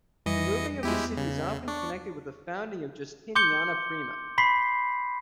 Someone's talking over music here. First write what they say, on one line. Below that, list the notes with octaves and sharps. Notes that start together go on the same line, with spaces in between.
The moving of the city is often connected with the founding of Justiniana Prima.
F2 E3 G3 D#5 A#6 C#7
E2 G#3 B3 E4 G4
C#3
D4 C#6
C6 D6 G6 C#7 G7
B5 C6 B6 C7